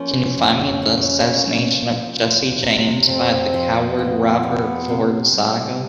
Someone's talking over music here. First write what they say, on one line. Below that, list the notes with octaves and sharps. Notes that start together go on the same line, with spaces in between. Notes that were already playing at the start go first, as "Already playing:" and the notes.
Can you find me The Assassination of Jesse James by the Coward Robert Ford saga?
Already playing: F3 A#3 C#4
F2
C#3
A#3
F3
D2
C3
F2 C4
F3
F2 B3
C3
C3
G3